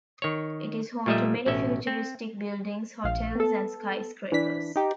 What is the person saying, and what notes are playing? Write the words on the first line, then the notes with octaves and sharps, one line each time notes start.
It is home to many futuristic buildings, hotels and skyscrapers.
D#3 C#5
A#2 F3 G3 A3 D#5 E5
A1 B2 C#4 E5
C4
A#1 F5
B3 A4
E3 D4 B6
D#4 G4